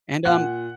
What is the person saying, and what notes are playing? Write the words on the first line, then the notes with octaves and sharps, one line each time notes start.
and, um,
A#2 F#5 F#6